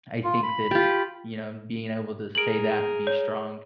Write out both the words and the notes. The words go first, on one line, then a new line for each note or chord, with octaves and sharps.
I think that, you know, being able to say that and be strong is
F4
B5
F4 G4
G#4 A#4 D7 F#7
C#5